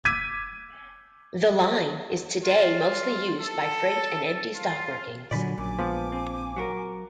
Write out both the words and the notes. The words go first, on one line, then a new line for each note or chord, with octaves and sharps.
The line is today mostly used by freight and empty stock workings.
D6 E6 G#6 B6 D#7
F4
A4
F4
A#2 D3 F#3 D5 G#5 B5
A#1 F#2 G#5 D6
F3 G#3 B3
C4
F#3 F#4 A#4